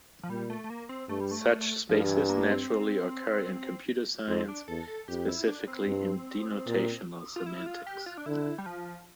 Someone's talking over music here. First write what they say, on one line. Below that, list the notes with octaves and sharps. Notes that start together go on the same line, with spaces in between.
Such spaces naturally occur in computer science, specifically in denotational semantics.
F3
A#2 G3
A3
A3
A#3
C4
G2 A3
G3
A3
G2 F3
F3
E3
A#3
C4
F2 C4
D4
E2 A4
A4
F2 G4
E4
D4
C4
G2
A#2
F4
E4
E4
F4
G4
F4
D4
D3 E4
G3
F3